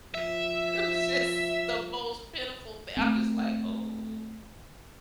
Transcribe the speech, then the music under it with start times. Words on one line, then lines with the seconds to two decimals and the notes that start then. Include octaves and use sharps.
It was just the most pitiful thing I'm just, like, "Oh,
0.15 F3 E5
2.97 A3 B3 C4